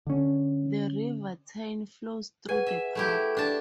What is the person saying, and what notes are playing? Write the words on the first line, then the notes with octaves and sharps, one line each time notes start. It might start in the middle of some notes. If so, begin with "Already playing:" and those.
The River Tyne flows through the park.
D3 C#4
G#4 B4 F#5 G#5
E5
A3 E4 G4
D4 A5